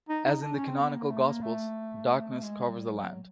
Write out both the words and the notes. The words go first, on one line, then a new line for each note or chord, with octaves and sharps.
As in the canonical Gospels, darkness covers the land.
D#4
D#4
D4
C#4
C4
B3
A#3
A3
A#3
A3
G#3
G3
F#3